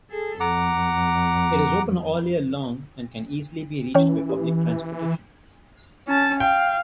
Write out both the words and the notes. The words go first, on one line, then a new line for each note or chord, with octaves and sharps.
It is open all year long and can easily be reached by public transportation.
G#4 A4
F2 F#5 A#5 D6
E3 C#4 C#5 G5 F6
G4
C#4 A5
F5 G5